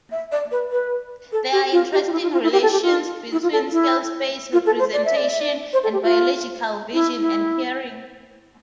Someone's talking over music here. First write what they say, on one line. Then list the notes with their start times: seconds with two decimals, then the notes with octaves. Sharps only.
There are interesting relations between scale-space representation and biological vision and hearing.
0.12 E5
0.32 D5
0.51 B4
0.72 B4
1.32 A4
1.52 G4
1.72 F4
1.92 G4
2.07 F4
2.12 E4
2.22 F4
2.32 F4
2.43 E4
2.52 G4
2.62 A4
2.72 G4
2.82 F4
3.32 E4
3.43 F4
3.52 A4
3.72 E4
4.53 F4
4.66 A4
4.79 C5
4.93 D5
5.05 E5
5.16 D5
5.29 E5
5.40 D5
5.73 C5
5.83 A4
5.93 G4
6.03 F4
6.93 E4
7.20 E4